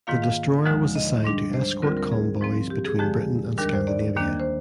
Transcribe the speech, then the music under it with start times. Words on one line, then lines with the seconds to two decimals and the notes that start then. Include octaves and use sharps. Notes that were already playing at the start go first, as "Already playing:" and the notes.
The destroyer was assigned to escort convoys between Britain and Scandinavia.
0.07 G#2 D#3 A#3 F4 F5
0.22 F5
0.65 D2 D3 F3 G#3 D#4
0.95 D#5
1.24 G#2 G3 D4
1.54 C5
1.82 D2 D3 G3 C4 F4 A#4
1.97 A#4
2.12 G#4
2.41 G#2 F3 C4
2.70 G4
2.84 G#4
2.99 F2 D3 F3 G#3 G4
3.58 D#2 D#3 G3 D4 A#4
3.73 C5
3.87 D5
4.16 D#2 D#3 A#3 D4
4.40 C5